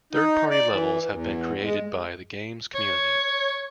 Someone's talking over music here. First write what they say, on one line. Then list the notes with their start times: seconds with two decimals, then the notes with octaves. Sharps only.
Third party levels have been created by the game's community.
0.13 D#4
0.50 D5
0.72 E3
1.11 E2
1.63 G#3
2.74 C#5